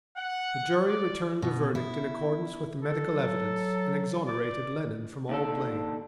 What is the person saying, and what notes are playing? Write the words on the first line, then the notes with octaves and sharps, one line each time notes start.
The jury returned a verdict in accordance with the medical evidence and exonerated Lennon from all blame.
F#5
D5
B2
E4
D3 A4
F#3
D5
D#2 D4 A4